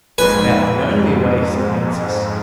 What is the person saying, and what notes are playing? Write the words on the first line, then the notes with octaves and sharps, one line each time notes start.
"It's about the only way," said Mansus.
F2 G#2 B4 G#5